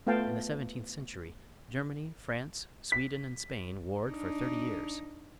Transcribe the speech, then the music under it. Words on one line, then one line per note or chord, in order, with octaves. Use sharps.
In the seventeenth century Germany, France, Sweden, and Spain warred for thirty years.
A3 B3 F4 F5 G5 A5
B6
D4 D#4